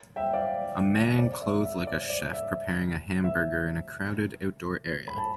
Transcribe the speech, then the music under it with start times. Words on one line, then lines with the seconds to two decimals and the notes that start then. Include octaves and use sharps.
A man clothed like a chef preparing a hamburger in a crowded outdoor area.
0.16 E5 G5
0.33 D5 F5
1.19 D5
1.42 E5
1.65 E5
1.87 D5
2.10 D5
2.33 E5
3.24 E5
5.08 B5
5.18 A5